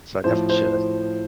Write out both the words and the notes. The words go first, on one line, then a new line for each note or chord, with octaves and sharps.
So, I definitely should.
A2 F3 C5
C5